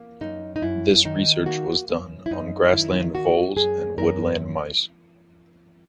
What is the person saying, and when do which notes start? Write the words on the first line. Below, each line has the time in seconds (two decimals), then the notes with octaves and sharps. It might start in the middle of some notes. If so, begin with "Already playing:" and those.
This research was done on grassland voles and woodland mice.
Already playing: A#3
0.21 F#2 D#4
0.56 D#4
0.62 F#2 E4
1.05 D#3 D#4
1.46 A#3 F#4
1.88 F#2
2.26 E4
2.31 F#2 D#4
2.73 D#3 E4
3.14 A#3 F#4
3.56 F#2 G#4
3.98 F#2 A#4